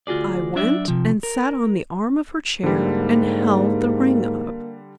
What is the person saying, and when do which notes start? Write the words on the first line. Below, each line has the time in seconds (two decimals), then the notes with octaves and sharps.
I went and sat on the arm of her chair, and held the ring up.
0.07 D2 F4 F#4 G#4 D5
0.56 F#3 D4 D5 E5
0.88 C3 F3
1.23 A#4
2.63 G#2 D3 G3 A#3